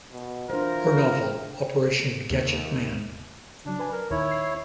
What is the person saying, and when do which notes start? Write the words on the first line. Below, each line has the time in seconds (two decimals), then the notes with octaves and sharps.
Her novel Operation Gadgetman!
0.12 B2
0.50 E3 D4 F4 A#4 C5
1.22 G5
2.30 D#2
3.66 C#3 F#3 D4
3.79 B4 G#5 B5
3.92 A#4
4.11 D#2 A#2 D#3 E4 C#5
4.31 C7